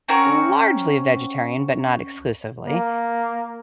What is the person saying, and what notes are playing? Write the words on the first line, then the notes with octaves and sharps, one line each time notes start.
largely vegetarian, but not exclusively;
C4 C#4 F#4 A#4
A#3